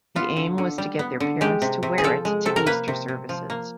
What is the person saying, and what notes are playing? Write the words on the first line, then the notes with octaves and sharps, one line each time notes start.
The aim was to get their parents to wear it to Easter services.
B3 F4
D3
D3
G3
B3
D3
G#3 G4
C3
C3
G#4
F3 A4
G#3
C3 A4
A#4
A#3 B4
C3
C3
F3
A#3